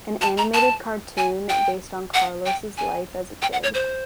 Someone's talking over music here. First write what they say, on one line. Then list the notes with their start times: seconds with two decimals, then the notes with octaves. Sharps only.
An animated cartoon based on Carlos' life as a kid.
0.21 A5
0.38 A#5
0.54 A5
1.17 G#5
1.49 G5
2.14 F#5
2.46 G5
2.78 G#5
3.42 G5
3.53 F#5
3.63 C#5
3.74 C5